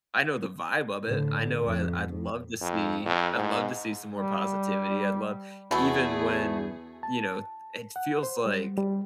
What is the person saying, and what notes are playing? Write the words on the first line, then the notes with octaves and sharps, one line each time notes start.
I know the vibe of it, I know I I'd love to see I'd love to see some more positivity, I'd love even when, you know, th it feels like
A2 D3
F2
F2
F2
G#2
G3
E2 B2 A3 F#4 G#4
A5
F#5
C5
G3
G3